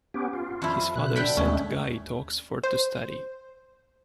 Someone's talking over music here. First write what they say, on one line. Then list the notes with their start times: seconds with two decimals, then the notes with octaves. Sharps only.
His father sent Ghai to Oxford to study.
0.14 B3 C#4 G4
0.33 F4
0.62 F2 E4
0.96 B2 F#6
1.16 D3 G5 B5
1.37 D#2 G#3 A3 C#4
2.64 C5